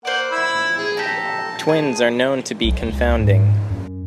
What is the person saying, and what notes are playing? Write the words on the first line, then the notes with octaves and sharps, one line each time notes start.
Twins are known to be confounding.
A#3 C5 D5 F#5
E4 E5 B5
G#4
G4 A4 A5 A#5
G#4
B1
C#2
G#2
F#2